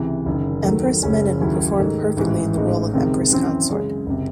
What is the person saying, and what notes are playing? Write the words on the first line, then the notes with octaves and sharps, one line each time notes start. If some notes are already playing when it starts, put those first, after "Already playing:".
Empress Menen performed perfectly in the role of Empress-consort.
Already playing: C#2 C3 E3
F#1 F#2 D#3
D#2 D#3 F#3 A3
F#1 F#2 C#3 G#3 C#4
D#2 C#3 F#3 C#4 E4
G#2 D#3 A3 D#4
A1 G#2 E3 G#3
A1 A2 G#3 D#4
C#2 C3 D#3 G#3 C4
F#2 E3 C4
F#2 C#3 G#3
F#1 C3